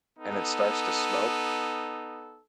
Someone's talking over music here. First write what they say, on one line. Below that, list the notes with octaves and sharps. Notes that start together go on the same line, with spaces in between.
and it starts to smoke,
B3 D#4 A4